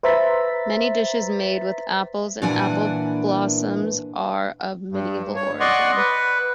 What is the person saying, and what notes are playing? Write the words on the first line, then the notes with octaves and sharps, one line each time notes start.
Many dishes made with apples and apple blossom are of medieval origin.
B4 C5 E5 A#5 A6 B6
A#2 E3 D4 B4 F#5 G#5
G2
C#5
D5 D#5 F#5 C6 C#6
B4